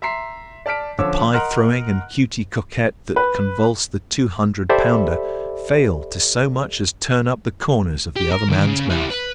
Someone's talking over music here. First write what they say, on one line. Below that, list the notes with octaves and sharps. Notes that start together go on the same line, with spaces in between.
The pie-throwing and Cutey Coquette that convulse the two-hundred-pounder fail to so much as turn up the corners of the other man's mouth.
E5 A#5 C6 B6 C7
D5 A5 F6 B6 D7
D3 F3 C#4 C#5 D6 E6
A#4 D#5 F#5 C6 F6 F#6
B4
G4 A4 C5 D5 E5 B5
G4
A#4
D3 D#3
C#3
G3 E4
B4